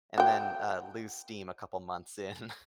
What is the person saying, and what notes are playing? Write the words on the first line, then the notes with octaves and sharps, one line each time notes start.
and then, uh, lose steam a couple months in.
F#4 G5